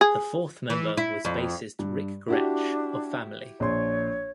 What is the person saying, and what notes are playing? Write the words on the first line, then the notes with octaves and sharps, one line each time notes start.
The fourth member was bassist Ric Grech of Family.
G#4
E3
E4
F2
G2
D4 E4 F#4 G4
A#1 C#5 C6